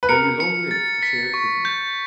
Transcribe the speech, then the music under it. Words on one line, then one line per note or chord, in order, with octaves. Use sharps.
May you long live to share it with me!
B4
A#4 C#7
C#7
A6
B6
C#6
G6